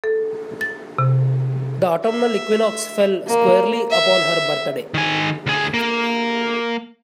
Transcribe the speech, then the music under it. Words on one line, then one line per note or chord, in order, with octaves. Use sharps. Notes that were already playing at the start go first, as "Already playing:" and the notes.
The autumnal equinox fell squarely upon her birthday.
A4
A6
C3
E5
A#3
E5
D#3 G#5
D2 G#4
A#3